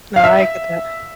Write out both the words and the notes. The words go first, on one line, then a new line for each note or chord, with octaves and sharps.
No, I get that.
F5
E5